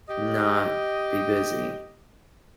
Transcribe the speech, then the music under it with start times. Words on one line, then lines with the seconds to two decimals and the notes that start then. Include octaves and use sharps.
not be busy,
0.09 G4 D#5